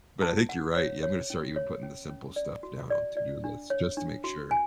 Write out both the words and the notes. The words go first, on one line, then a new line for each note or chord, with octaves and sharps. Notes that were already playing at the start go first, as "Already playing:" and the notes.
But I think you're right, yeah, I'm gonna start even putting the simple stuff down on to-do lists just to make sure.
A5
F#5
C#5
C#5
C#4
C#5
C#4
C#4
D5
F#4
D5
D5
D4
C#5
D4
F#4
G#5